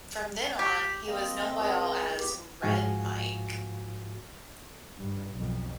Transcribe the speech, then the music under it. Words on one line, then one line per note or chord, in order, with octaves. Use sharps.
From then on he was known by all as "Red Mike".
G4 B6
A#3 C4 D#5
C#2
B3 G4
G#2 F3 F4 F#4 F5 G#5
G2
B1 F2